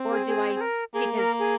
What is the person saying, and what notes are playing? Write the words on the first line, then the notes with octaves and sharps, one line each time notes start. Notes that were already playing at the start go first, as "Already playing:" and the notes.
or do I because
Already playing: C4
G#4
G#4
G#4
A#4
A#3 G#4
A#4
G#4